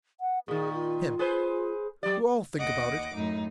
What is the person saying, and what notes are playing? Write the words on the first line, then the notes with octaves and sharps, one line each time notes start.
HIM: I'll think about it.
F#5
A#2 D#3 G#4
F4
G#4 B4 C5
F#3 G4 D5
D#2 D#5 F#5 D6
F#2 A2 D#4